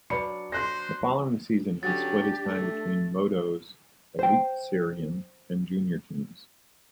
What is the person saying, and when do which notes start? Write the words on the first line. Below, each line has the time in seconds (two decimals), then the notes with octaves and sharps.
The following season, he split his time between Modo's Elitserien and junior teams.
0.10 F#3 D4 B4 C#5 B5 C#7
0.52 C5 C6 F#6 A#6
1.83 D3 F#3 C#4 D4 G4 A6
2.47 A3
4.19 C5 G5